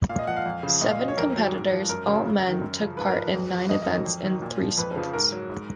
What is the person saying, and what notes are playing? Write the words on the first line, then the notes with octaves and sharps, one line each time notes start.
Seven competitors, all men, took part in nine events in three sports.
A#2 F5
D#5
F3 F#5
F5
F2
C#3 F3
A#2 D#5
F5
F#3 D#5
C#5
F2 A#4
D#3 F#3
G#2
F3
F#2 A#4
C#3 F#3
F#2
F#3
D#3
F#2
C#3 F3
G#2 B4
A#4
F3 B4
F2
F3
F2 D#5
D#5
D#3 F#3
F2
D#3 F#3
A#2
F3
F2 B4
C#3 F3
G#2 A#4
F#3
G#2